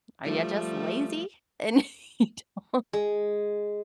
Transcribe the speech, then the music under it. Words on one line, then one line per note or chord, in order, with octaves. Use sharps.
are ya just lazy? And you don't"
F3 G3 A3
G#3